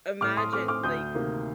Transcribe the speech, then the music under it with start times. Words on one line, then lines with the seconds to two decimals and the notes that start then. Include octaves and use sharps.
imagine, like,
0.21 A2 D6 F6
0.37 C6 D#6
0.53 A3 C4 D6 F6
0.68 D6 F6
0.83 D2 D#6 G6
1.15 C3 D#3 A#3